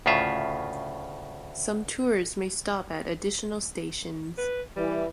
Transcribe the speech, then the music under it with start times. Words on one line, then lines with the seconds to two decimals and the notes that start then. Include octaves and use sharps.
Some tours may stop at additional stations.
0.06 D2 A2 C#3 F4 E5
4.38 B4
4.76 E3 G3